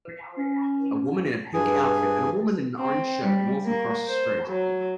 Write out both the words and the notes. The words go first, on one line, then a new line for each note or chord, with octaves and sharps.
A woman in a pink outfit and a woman in an orange shirt walk across a street.
C#4
G2 G#4 B4
C4
G3
A#3
C5
F#3